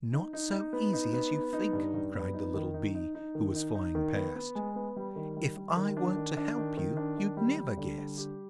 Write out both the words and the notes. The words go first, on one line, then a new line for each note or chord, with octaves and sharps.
'Not so easy as you think,' cried the little bee, who was flying past. 'If I weren't to help you, you'd never guess.
D#4
D#4
D#4
B3
D#4
B3
B3
D#4
G2
G2
B3
D#4
D#3
D#4
D#4
D#4
D#3
D#4
D#4
D#3
B3
B3
G#3
B3
G3
D#3
G3
G3
D#3
D4
D#3
D4
D#3
D#3
D4
D#3
G3
G3
D3
G3
G4